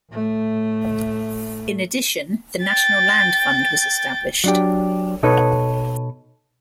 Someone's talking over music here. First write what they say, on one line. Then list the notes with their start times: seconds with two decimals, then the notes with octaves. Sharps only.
In addition, the National Land Fund was established.
0.11 A2 A3
2.63 G5 A6
4.44 F#3 D4 G4
5.23 B2 D#4 A4 B4 C#5